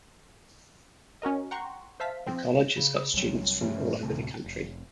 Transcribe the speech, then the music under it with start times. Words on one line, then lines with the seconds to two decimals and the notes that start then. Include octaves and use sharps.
The College has got students from all over the country.
1.22 C#4 F#4 A#4 D#5
1.51 F#5 G5 A#5 C6 C#6
2.00 C5 E5 F5 A5 B6
2.26 F3 C4
2.77 C#3
3.14 C2 F#3
3.61 G2 A3 C#4
4.03 D2 A2 C3 A3
4.44 F1